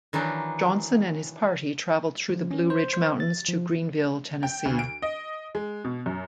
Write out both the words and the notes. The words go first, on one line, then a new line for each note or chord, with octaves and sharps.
Johnson and his party traveled through the Blue Ridge Mountains to Greeneville, Tennessee.
D#3 E3 F#3 D4 D#4
F3
C#4
C5
C5
A6
F3
G5
D2
D7
D#5
G#3
B2
F#2